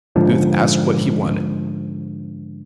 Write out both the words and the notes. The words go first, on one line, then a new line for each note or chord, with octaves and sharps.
Booth asked what he wanted!
G#2 D3 F3